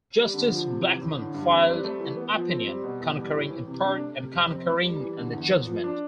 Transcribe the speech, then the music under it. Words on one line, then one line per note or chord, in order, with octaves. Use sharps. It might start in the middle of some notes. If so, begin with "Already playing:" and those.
Justice Blackmun filed an opinion concurring in part and concurring in the judgment.
G3
D3
F3
C3
E3
A2
D3
G2
C4
G3
A3
E3
B3
F3
C4
G3
B2
E2
G3
A2
E3
C3
D4
A3
C3
F2
C4
A3
G3
E3
D3
E2
B3
F3
D4